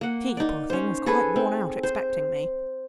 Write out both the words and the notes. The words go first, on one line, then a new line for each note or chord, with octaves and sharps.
She, poor thing, was quite worn out expecting me.
A#3 F#5
D#4 D5
C#4 C5
G#4 A4 B4 G#5
C4
C5